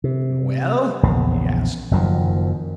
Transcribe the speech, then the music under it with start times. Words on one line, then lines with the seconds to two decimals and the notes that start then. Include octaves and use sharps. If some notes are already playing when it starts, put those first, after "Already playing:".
"Well?" he asked.
0.04 C3
1.03 A#1 E2 C#3
1.91 F#1 F#2 D#3 F3